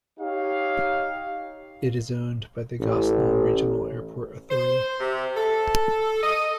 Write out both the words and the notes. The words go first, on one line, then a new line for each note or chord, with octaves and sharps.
It is owned by the Gosnell Regional Airport Authority.
D#4 G4 C#5 F5
A1
C5
C3
A4
D#5